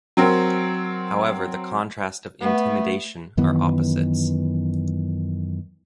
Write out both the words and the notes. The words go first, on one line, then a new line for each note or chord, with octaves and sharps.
However the contrast of intimidation are opposites.
F#3 C4 A#4
A3 B3
F#2 D#3 E3 B3